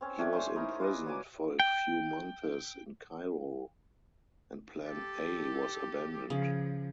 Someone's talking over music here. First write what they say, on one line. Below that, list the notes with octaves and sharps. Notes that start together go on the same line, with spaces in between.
He was imprisoned for a few months in Cairo and Plan A was abandoned.
C4 C#4
A3 C#4 D4 G5
C#4 C5 G#5
D#4 E4 A#4
F4 B4 D5 D#5
F#3 A#3 G#5 D6
G5
G4 A4
C#3 F3